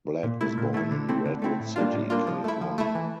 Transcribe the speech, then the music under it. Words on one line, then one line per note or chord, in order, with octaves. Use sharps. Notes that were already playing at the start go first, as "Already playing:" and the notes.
Black was born in Redwood City, California.
A#2
A3 E4
A#2
A3 E4
D3
A3 C4 E4
D3
A3 C4 E4
A2
G3 A#3 D4 F4
A2
G3 A#3 D4 F4
F3
A3 E4
F3
A3 E4
E3